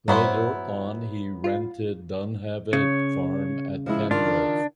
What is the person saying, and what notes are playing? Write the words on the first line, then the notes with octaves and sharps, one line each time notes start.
Later on he rented Dunheved farm at Penrith.
G2 F#3 B3 E4 C5
F4
C#3 C#5
F3 G#3 E4
D#3 D4 F4